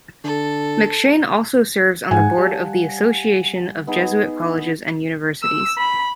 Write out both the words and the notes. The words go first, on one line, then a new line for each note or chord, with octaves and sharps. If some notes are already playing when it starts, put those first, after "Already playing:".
McShane also serves on the board of the Association of Jesuit Colleges and Universities.
D3 A4
G#2 F5 F#5 G#5
G3 A5
B3 D#4 G#4
E6
B5